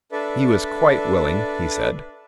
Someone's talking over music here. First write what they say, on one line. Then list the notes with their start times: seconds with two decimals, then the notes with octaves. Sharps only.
He was quite willing, he said.
0.12 D4 A4 B4 D5 E5